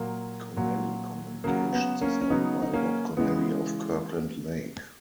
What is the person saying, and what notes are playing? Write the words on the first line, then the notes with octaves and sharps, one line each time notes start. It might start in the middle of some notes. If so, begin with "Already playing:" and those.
Connelly Communications is owned by Rob Connelly of Kirkland Lake.
Already playing: A#2 F#3 A#3
A#2 F#3
C#3 F#3 A#3
B3
A#3 C#4
C#4
C#3 F#3 B3 D#4
D#4
A#3 C#4
C#3 E3 G#3 B3